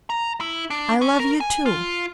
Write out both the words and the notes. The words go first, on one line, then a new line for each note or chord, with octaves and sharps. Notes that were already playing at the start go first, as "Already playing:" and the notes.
I love you too....
A#5
E4
D4
C#4
A#4
G#5
F4